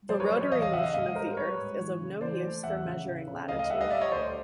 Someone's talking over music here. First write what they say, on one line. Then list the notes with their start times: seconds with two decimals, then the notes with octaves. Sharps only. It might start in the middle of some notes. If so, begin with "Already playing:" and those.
The rotary motion of the earth is of no use for measuring latitude.
0.09 F#3 C5 D5
0.20 B4 C#5
0.30 F#3 C5 D5
0.41 C#5 D#5
0.51 E2 D#5 F5
0.62 D#5 F5
0.72 C#3 E5 F#5
0.83 D#5 F5
0.94 G#2 D#5 F5
1.15 G3 A#4 C5
1.36 G3 B4 C#5
1.58 G#2
1.79 E3
2.00 C#3
2.21 E3 C5 D5
2.42 A3
2.63 E2 E5 F#5
2.85 C#3
3.06 C#3
3.28 C#3
3.48 D2 D#5 F5
3.59 D#5 F5
3.70 G3 E5 F#5
3.81 D#5 F5
3.91 G3 D5 E5
4.01 C#5 D#5
4.12 D2 C5 D5